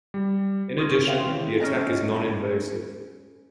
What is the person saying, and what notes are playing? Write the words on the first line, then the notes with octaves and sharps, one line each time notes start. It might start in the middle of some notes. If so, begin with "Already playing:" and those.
In addition, the attack is non-invasive.
G3
C6 C#6 D#6 F6 G#6 A#6
C#3 C#4
C#5 E5 F5 G5 C6
D#3 E3 G#3 C4 E4 B4
C#4 D4 D#5 G#5